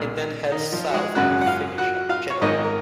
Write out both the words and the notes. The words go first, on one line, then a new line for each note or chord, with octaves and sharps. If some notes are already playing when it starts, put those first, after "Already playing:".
It then heads south to finish at Jenolan.
Already playing: B1 A#2 G#3
D#3 D#4
F3 F4
F#4
G#3 G#4
G#1 F#2 C#3 G#3 F#4 F#5
F#5
F4 F5
F#4 F#5
F4 F5
C#5
G#1 G#2 D#3 G#3 D#4 D#5
A#4